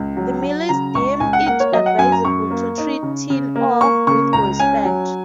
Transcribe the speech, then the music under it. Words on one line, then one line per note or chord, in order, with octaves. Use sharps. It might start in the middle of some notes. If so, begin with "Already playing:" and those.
The Malays deem it advisable to treat tin ore with respect.
Already playing: C#2
F#3
F#3
C#3 A#5
C#2 C#6
C#2 G#5
F#5
A#3 F#5
C#5
F#3 D#5
F#5
F#2 G#5
A#5
F#2 C#6
A#3
D#4
C#3
C#3
A#3
A#3 C#6
C#3 C#6
C#2 A#5
C#4 G#5
F#3